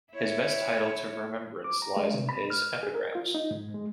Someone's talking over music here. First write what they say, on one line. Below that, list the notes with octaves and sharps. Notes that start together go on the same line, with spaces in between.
His best title to remembrance lies in his epigrams.
E4 C#5
D6
A#5
G#3
C3
B5
F6
G#4
A#4
F4
D#4
G#2
G#3